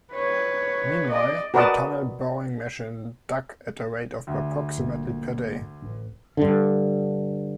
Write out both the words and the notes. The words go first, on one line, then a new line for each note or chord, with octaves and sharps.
Meanwhile, the tunnel boring machine dug at a rate of approximately per day.
B4 C#5
D5 D#5
F#4 A#4 B4 D5 D#5 A5
D2
G1 A#2
A1
G2 D3